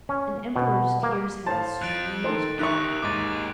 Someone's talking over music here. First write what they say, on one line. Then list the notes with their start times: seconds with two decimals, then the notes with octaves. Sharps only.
An Emperor's tears have a strange power.
0.09 C#4
0.56 B2
1.03 A#3
1.46 A2 C5 F5 A5
1.82 F2 F3 F#6 A6 D7
2.24 D#3 D#4 A4 C5 C6
2.59 D#4 G4 A#4 E5 C#6 F#6
3.02 D#2 G#2 G4 D#5 D6 A6